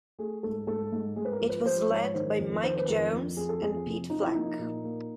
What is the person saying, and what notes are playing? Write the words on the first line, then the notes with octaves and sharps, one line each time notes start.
It was led by Mike Jones and Pete Flack.
A3 G#4
G#2 A4
G#2 A4
G#2
G#2 G#4
B4
A#4
F3
B4
F3 C5
G#2 C#5
D#3 C5
F2
D#3 C5
B4
F2 A#4
F2
F2 G#4
A4
F2 G#4
C3
F3 D#4
E4
A#3 D#4
A#2
A#3